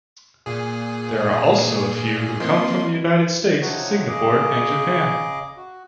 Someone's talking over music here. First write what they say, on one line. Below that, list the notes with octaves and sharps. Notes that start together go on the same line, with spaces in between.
There are also a few who come from the United States, Singapore, and Japan.
A#2 G#4
F3 A#3 C4 D#5 C6
C3 F3 D#4 F#4 C#5 F#5
C#3 G#4 D#5 D6
F#4